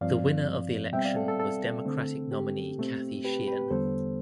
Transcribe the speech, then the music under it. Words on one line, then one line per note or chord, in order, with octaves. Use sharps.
The winner of the election was Democratic nominee Kathy Sheehan.
G2 F3 C4 D5 F5
B2 G3 C4 E5 G5
D5 F5
A4
A4
A4
D3 A3 C4
G4
B2 A3 C4
G4 B4
G4 B4
E2 D3 G3 B3 A4 C5